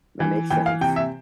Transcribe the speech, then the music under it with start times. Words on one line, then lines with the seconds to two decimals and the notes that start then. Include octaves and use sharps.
That makes sense.
0.20 E3
0.50 E3 G5
0.66 F5
0.81 C3 G5
0.96 E5